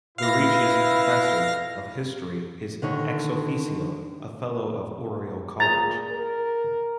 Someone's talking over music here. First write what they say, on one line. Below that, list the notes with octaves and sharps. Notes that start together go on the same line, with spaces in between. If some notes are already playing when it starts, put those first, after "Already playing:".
The Regius Professor of History is "ex officio" a Fellow of Oriel College.
E4 B4 F5 A#6
D3 D#3 C#5
A#2 G#4 A#5 A6
A#4